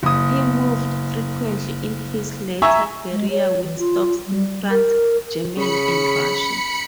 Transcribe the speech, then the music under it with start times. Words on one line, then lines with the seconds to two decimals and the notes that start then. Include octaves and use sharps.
He moved frequently in his later career, with stops in France, Germany and Russia.
0.03 F#1 D#6
2.62 E5 G#5 A#5 C#6 E6
3.11 G#3
3.30 C#5
3.63 E3
3.78 F4
4.26 G3
4.69 A#4
5.57 C#3 B5 C#7